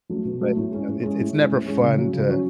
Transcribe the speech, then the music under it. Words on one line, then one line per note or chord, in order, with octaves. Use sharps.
But, no, it's it's never fun to
F#3 A3
B2
F#3 A3
A2
G#3 C#4
A2
G#3 C#4
A2
G#3 C#4
A2
G#3 C#4
C#3
F#3 C#4
C#3
F#3 C#4